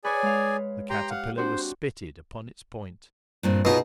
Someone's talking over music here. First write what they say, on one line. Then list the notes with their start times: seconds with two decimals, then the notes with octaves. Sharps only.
The caterpillar was spitted upon its point.
0.04 G#4 B4 C#5 D5 G#5
0.22 G#3 F5
0.90 G4 G5 A#5 C6
1.10 F5 F#5
1.37 C4 D4 F#4 C5
3.43 G2 A#2 C4
3.65 B2 C#4 D#4 F4 G#4